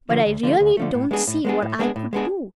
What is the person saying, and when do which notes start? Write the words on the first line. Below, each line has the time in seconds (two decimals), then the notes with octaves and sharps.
But I really don't see what I could do.
0.09 D3 F3 A3
0.26 D2
0.43 D3 F3 A3
0.60 D2
0.77 D3 F3 A3
0.94 A2
1.11 G#3 B3 D4 G#4
1.27 A2
1.45 G#3 B3 D4 G#4
1.62 A2
1.79 G#3 B3 D4 G#4
1.96 A2
2.13 G#3 B3 D4 G#4